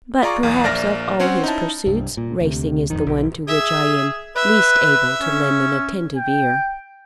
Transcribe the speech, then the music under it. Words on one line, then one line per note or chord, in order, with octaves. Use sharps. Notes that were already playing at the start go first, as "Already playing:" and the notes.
But perhaps of all his pursuits racing is the one to which I am least able to lend an attentive ear.
F4 G#4 D5 A#5 C#6 D6
B1 E2
A#1 A#3 D5 E5 F6 A#6
C4 C#4 C5 C#5 F#5
D#4 E4 A5
C2 G2
A#2
D2 C3
D#1 A1 F2 D#3
B1
G#4 E5
B4 E5
C#4
G5